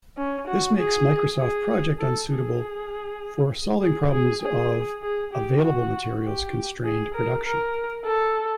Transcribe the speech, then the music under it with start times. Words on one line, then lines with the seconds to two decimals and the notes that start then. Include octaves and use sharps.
This makes Microsoft Project unsuitable for solving problems of available materials constrained production.
0.17 C#4
0.47 F#4
0.77 G#4
1.39 G#4
1.99 A4
2.30 G#4
3.81 G#4
4.11 G#4
4.41 G#4
5.02 G#4
5.33 G4
5.63 F#4
6.24 G4
6.85 G#4
7.14 A#4
7.44 A#4
8.05 A4